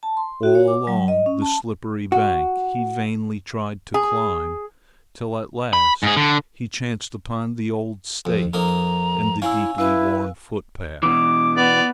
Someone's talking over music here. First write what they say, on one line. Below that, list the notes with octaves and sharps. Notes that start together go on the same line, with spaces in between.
All along the slippery bank he vainly tried to climb, till at last he chanced upon the old stake and the deeply worn footpath.
A5
C6
F#4
C#5
D6
F#3
D#5
C#4
A5
F#4
G#4
B5
G#2 G#4
D3
F2
F2 A#3 D#4 A#5
C#4 E4 F5 G#5 E6
E4 B4 F5 E6
B2 E3 D6
B3 D5